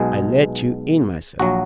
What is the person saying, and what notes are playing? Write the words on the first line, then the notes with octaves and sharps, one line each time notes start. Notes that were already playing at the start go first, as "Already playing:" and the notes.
I let you in myself.
Already playing: B1 B2 G#3 G#4
A#1 F#3 F#4